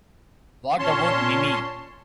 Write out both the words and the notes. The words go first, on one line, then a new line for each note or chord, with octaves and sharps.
What About Mimi?
A#2 C#4 C#5 A5 C6